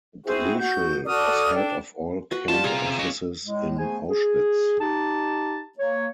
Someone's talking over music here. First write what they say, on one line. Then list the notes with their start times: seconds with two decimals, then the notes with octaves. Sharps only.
Dreschel was head of all camp offices in Auschwitz.
0.25 C4 E4 F#4 G#4 C5
0.59 F#4 G6
1.06 F#4 A4 D5 D#6 F6
1.54 D4 G5
2.31 F#4 B4
2.48 G3 F4 A5
2.64 C3 G#4 A#5
2.99 C#4 D#5
3.45 A2 G#3
3.78 A3 B3 G#4 C5 G#5
4.09 G#4
4.80 D#4 G4 A5
5.78 A#3 C#5